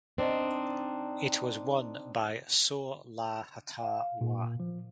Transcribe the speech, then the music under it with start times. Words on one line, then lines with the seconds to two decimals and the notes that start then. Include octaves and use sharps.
It was won by Saw Lah Htaw Wah.
0.18 C4 D4 D#4
3.83 F5
4.21 A#2
4.60 F3